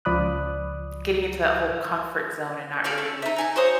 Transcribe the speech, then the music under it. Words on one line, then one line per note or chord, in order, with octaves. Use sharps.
getting into that whole comfort zone, and not really
C#2 F3 D5 B5 D#6 F#6
C#4 F4 A4 D5
A3
D#4 E5
D#4 G#5 A5
F#4 C5 C#5 D#6